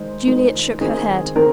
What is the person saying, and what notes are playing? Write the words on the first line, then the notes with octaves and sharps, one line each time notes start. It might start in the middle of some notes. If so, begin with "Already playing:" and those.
Juliet shook her head.
Already playing: D#3 G#3 D#4 C5
D#3 G#3 D#4
D#3 C4 D#4 G#4
D#3 C4 A#4